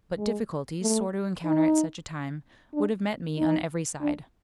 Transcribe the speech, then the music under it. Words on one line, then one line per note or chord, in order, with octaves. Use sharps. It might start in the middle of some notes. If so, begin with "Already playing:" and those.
But difficulties, sore to encounter at such a time, would have met me on every side.
G#3
A3
D#4
D4
D#4
D4